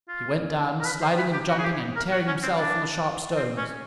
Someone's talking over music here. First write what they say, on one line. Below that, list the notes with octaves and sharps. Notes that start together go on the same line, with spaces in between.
He went down, sliding and jumping and tearing himself on the sharp stones.
F4
A#4
B4
C5
B4
G4
F#4
G#4
G4
A#4
F#4
C#4
C4
D4
C4
C#4